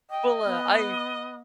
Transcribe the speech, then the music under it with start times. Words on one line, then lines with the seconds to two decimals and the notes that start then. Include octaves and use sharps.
Well, uh, I
0.11 D#5 G5
0.45 B3